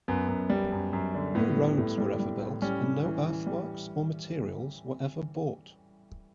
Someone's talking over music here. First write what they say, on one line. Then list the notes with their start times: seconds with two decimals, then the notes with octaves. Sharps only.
No roads were ever built, and no earthworks or materials were ever bought.
0.08 F#2 B3
0.28 F#2
0.50 G3
0.72 F#2
0.93 F#2
1.14 D3
1.35 A2 B3
1.57 G3
1.78 A2
1.98 G3
2.20 G3
2.41 A2
2.62 G3 C#4
2.84 G3
3.05 E3
3.26 E3
3.47 G3